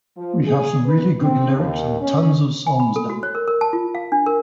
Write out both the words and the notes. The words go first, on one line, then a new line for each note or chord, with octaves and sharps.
We have some really good lyrics and tons of songs done.
F3
G#4
B4
C4
D#2
C#4
G#5
B5
A4
F#4
C#5
A#4
A#4
A5
F4
F5
D4
A#4